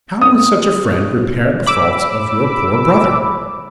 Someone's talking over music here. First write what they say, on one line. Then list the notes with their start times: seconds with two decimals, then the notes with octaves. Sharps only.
How would such a friend repair the faults of your poor brother!
0.21 D#6
1.66 B5 D6 E6